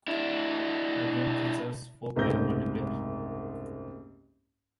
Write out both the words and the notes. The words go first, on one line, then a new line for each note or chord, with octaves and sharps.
The game features four-player multiplayer.
D4 E4
F#1 C2 G#2 A3 G6 A#6